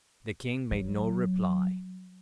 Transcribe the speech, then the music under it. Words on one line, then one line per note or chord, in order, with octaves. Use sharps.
The king made no reply.
F#3